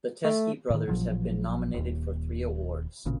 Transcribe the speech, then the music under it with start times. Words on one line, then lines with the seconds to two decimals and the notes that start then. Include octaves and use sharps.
The Teskey Brothers have been nominated for three awards.
0.25 A3
0.70 A2 D#3
0.87 A1 A#2 F3 F#3
1.74 D#1 D#2
3.06 G#1 A#2 C#3